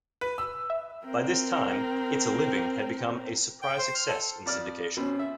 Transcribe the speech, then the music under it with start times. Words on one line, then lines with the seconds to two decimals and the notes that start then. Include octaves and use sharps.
By this time, "It's a Living" had become a surprise success in syndication.
0.21 B4
0.38 E6
0.70 E5
1.06 C4 A#4
3.62 G5
3.78 C5
3.95 F6
4.08 A4
4.46 F2 D5 F6
4.97 B2 C4 C#4 B5
5.19 E5